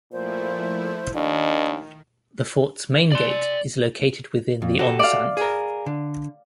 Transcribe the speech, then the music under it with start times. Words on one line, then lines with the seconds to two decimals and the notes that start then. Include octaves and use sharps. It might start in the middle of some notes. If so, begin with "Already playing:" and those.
The fort's main gate is located within the enceinte.
0.12 A#2 F3 A3 E4 C5
1.15 D#2 D#3 D4 D#5
3.12 D5 C6
4.62 F2
4.79 F#4 G4 A4
4.99 D5 F5
5.37 G#4 A#4
5.86 D3